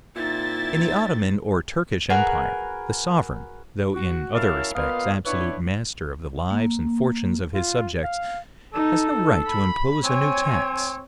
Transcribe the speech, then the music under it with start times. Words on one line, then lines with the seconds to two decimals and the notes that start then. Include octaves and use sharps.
In the Ottoman or Turkish empire, the sovereign, though in other respects absolute master of the lives and fortunes of his subjects, has no right to impose a new tax.
0.16 A#2 C4 D#4 E4 A6
2.10 F#4 G#4 A#4 B4
3.95 F#4
4.34 F#3 C#4 E4 A#4 F5 A5
4.74 A#2 B3 D#5 F5
5.25 B3 D4 E4 B4 C#5
6.51 A#3
7.54 F4
8.03 F5
8.74 D#4 A4
9.46 B5
10.04 C4 C#5 G#5